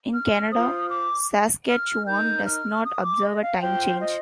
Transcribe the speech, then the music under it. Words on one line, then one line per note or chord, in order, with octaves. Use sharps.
In Canada, Saskatchewan does not observe a time change.
F6
F4 C5 D#6
D6
F6
D#4 A#4 G6
F6
D#6
D6
D#5
F5
G#5
F4 C5 G5
D#5